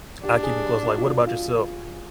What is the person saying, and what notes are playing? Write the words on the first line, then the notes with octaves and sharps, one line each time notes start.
I keep 'em close, like What about yourself?
D4 G4
G#4
G4
F#4
F4
F4